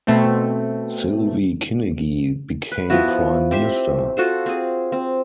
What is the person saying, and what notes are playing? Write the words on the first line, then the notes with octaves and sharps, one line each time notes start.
Sylvie Kinigi became Prime Minister.
B2 A3 C4
B4
F3 B3 E4 F#4
C4 G4 C5 E5
F4 F#4 A4 C5
C4 G#4
C4